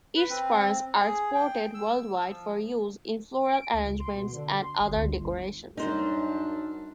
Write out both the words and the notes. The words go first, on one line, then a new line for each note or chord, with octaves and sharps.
Its ferns are exported worldwide for use in floral arrangements and other decorations.
B4
C4
G#4
G5
E6
F3
D7
C#2
C6
B2
D3
C6
G#1
D2
G1
F#2 G3 D4 D#4 C5